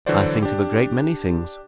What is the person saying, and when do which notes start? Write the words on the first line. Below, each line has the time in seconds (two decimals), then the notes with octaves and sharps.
I think of a great many things.
0.06 D3 E3 F#3 F#4 C5 D5
0.42 D4 G4